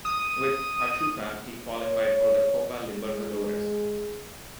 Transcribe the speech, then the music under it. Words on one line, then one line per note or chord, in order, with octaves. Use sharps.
With Pachuca, he qualified for the Copa Libertadores.
D#6
C#5
G#3